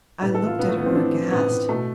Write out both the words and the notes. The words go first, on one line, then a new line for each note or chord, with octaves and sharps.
I looked at her aghast.
A2 B4
A4
E3
F4
A2 B3
A3
E3 B3
C4
E3 D4
E3
A2 B3
A2
B2 A3